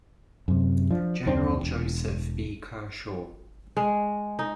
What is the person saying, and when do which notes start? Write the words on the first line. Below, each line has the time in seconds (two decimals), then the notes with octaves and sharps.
General Joseph B. Kershaw.
0.48 F#2 C3
0.91 F3 D4
1.26 F#1 D#2 C4 D4
1.59 E1
3.77 G#3
4.39 D#4